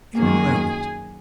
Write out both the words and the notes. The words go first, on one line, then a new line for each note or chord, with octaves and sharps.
"In a moment."
F#2 D#3 F#3 A#3 G#4 G#5